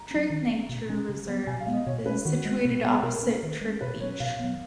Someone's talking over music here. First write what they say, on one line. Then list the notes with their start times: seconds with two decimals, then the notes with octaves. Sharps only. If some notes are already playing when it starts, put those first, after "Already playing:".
Trigg nature reserve is situated opposite Trigg Beach.
Already playing: A#5
0.11 F#3 C#4
0.30 D#3
0.50 A#3 C#4
0.69 B2
0.89 G#3 C#4
1.09 C#3
1.28 F#3 B3
1.47 B2 G#5
1.60 F5
1.66 G#3 B3
1.73 D#5
1.87 B2 C#5
2.05 G#3 C#4 B4
2.25 D#3 F#4
2.45 G#3 B3
2.65 B2
2.84 G#3 B3
3.03 B2 A#4
3.22 A#3 C#4
3.43 D#3
3.61 G#3 C#4
3.81 B2 B4
4.00 F#3 C#4 C#5
4.20 B2 F5
4.40 F#3 B3